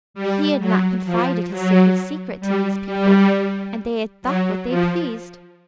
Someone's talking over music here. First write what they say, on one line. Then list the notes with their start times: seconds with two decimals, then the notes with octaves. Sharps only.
He had not confided his sacred secret to these people, and they had thought what they pleased.
0.14 G3
0.60 F#3
1.05 F3
1.50 F#3
2.41 G3
2.86 G3
4.22 F#3
4.68 F3